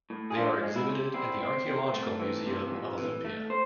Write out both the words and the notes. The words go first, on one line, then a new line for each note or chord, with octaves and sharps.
They are exhibited in the Archaeological Museum of Olympia.
A2
G#4
F3 D4 F4
G#3
E4
C3
C4 E4
C4
C4
A3
E3
C3
F2
E3
A3
C5